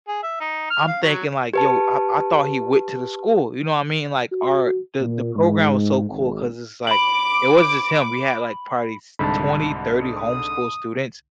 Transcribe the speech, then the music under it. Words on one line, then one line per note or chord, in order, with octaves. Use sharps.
I'm thinking, like, yo, I I thought he went to the school. You know what mean? Like, our the the program was so cool 'cause it's, like, it wasn't just him. We had, like, probably s twenty, thirty homeschool students
G#4
E5
D#4
F6
F5
F#3
G4 B4 A5
F#4
A#2
G#2
G#1
B5 D6 F#7
C2 G#2 D3 A5 B5
D#6